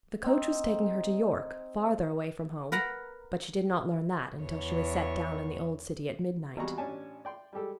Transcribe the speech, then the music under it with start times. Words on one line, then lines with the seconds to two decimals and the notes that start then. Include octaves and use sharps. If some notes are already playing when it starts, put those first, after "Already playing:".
The coach was taking her to York, farther away from home; but she did not learn that until she was set down in the old city at midnight.
0.24 C4 D#4
2.72 A#4 B4 F#5 A#5
4.42 E2 C#5
6.57 G#1 E2 G3 F#4 A#5 C#6
6.78 A1 C#4 D4 G#5 A5
7.25 D5 G5 C6
7.53 G3 G#3 G4 A4